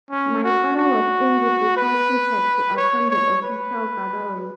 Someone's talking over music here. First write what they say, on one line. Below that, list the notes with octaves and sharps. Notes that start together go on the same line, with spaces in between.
My father was angry because he had to attend the official gatherings.
C#4
F#4
F#4
B4
C#5
C#5
B4